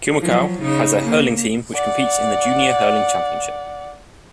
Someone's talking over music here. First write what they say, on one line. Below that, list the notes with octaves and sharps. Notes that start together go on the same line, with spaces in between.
Kilmacow has a hurling team which competes in the Junior Hurling Championship.
F3 F#3
C#3 D#4
A#3
D5 F#5